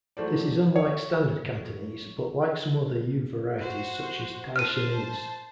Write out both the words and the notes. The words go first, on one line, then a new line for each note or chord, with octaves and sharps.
This is unlike Standard Cantonese but like some other Yue varieties such as Taishanese.
E3 F#3 A3 C5 D5
C#5 E5
F#4 C5
C5 A5 F6 F#6 D#7